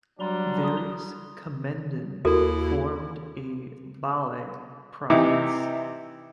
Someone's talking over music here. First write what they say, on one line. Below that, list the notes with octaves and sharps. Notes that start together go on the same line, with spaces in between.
Various "Kommenden" formed a "Ballei" province.
F#3 G3 D4 A#5 C6
D#6
D#2 E4 F#4 A4 A#4
C3 E3 D#4 E4 D6